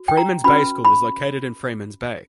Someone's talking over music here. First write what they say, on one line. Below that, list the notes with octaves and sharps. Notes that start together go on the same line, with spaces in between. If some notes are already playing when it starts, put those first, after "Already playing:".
Freemans Bay School is located in Freemans Bay.
Already playing: F#4
G5
A#5
C#4 F#4 B4 B5
B5